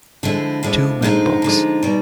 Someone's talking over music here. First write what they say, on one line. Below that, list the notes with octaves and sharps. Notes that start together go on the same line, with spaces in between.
Two men box.
D3 F3 G#3 E4
D3 F3 G#3
D3 F3 G#3 D#4
D3 F3 G#3
B2 G3